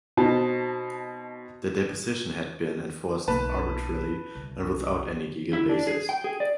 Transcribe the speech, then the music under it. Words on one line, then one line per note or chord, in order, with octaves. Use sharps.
The deposition had been enforced arbitrarily and without any legal basis.
B2 C4 D#4 A5
B1 A#3 B4 A5
C2
E4
D4
G#4
G5
G#4
D5